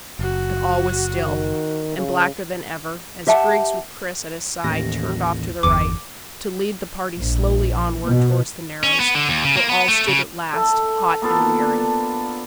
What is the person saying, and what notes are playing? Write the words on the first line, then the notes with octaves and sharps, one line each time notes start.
But all was still, and blacker than ever, as Griggs with Chris at his side turned off to the right, to lead the party slowly onward towards the narrows, where all stood at last, hot and weary.
F#1 F#4
D#3
C#3
G4 E5 F#5 A5
A1 D#2 A#6
G1 E2 D6
A#1
B2
C#4
B3
D3
D#2
C#3
A#3
B3
A3
C#3
A4 E5
A#3 B3 F4 A4
D4